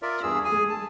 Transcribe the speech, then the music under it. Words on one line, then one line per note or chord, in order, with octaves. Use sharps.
She could be
F4 A#4 D5 E5
E2 G2 G#4 E6
G#4 G#5
A5